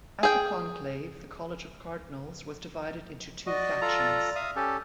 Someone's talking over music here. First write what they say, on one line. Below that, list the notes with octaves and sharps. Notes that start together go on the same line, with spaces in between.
At the conclave, the College of Cardinals was divided into two factions.
G#4 G5
F#4 D5 D#5
F4 A4 A#5
E5 F5 D#6
C#4 G4 A4